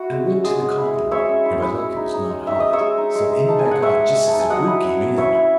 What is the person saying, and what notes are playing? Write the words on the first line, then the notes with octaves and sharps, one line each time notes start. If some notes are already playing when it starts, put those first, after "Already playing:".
I went to the caldron, and by luck it was not hot, so in it I got just as the brute came in.
Already playing: E4 F#4
G#3
C#4
G#3 G#4
G#3
E4
G#3
G#3 C#5 E5
C#4
E4
E4
G#3
D#4
D#4
G#3
D#4 E5
D#4 D#5
C#5 E5
G#3
D#4
G#3
G#3
D#4 A5
G#5
D#4
F#5
G#3 C#5 E5
G#3
G#3
A5
D#4
G#5
F#3 D#5 F#5
E4
C#4
C#4
E4 C#5 E5
E4